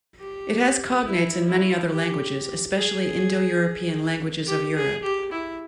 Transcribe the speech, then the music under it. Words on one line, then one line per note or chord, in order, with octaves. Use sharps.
It has cognates in many other languages, especially Indo-European languages of Europe.
G4
E4
E4
G4
G#4
G4
G#4
G4
E4